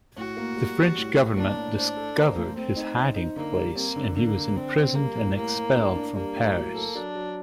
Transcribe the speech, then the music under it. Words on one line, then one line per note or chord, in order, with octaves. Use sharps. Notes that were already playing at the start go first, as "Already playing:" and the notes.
The French government discovered his hiding-place, and he was imprisoned and expelled from Paris.
A2 F#4
A#3
G3
G3
A2
A2
A#3 D4
A2
D4 C5
A4
A#3 C5
A3
A3 C4
D#4
C5
D#4
D3 A#3
G3
A#3 C4
D3
D3 A#3
D3
D3 C4
D3
G3 A#3
A2
A2 A#3
A2
D4
D4
G3 A#3
A2
F#3
A4
F#3 D4
F#3